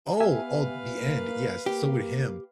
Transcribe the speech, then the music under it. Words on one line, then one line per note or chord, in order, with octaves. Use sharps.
Oh, oh, the end, yes. So with him,
B3 G4 B4 E5 F5 G#5
A#3
A#3 G4